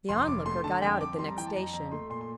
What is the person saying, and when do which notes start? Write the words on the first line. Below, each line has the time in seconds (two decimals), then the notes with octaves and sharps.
The Onlooker got out at the next station.
0.09 F1 C6
0.27 F1 D6
0.46 A3 C6
0.64 D3 A5
0.82 F2 G5
1.00 F2 D6
1.19 G3 C6
1.29 A#5
1.38 E3 G5
1.47 A5
1.55 F2 A#5
1.73 F2 A#5
1.92 A3 C6
2.10 A#2 C6
2.21 C6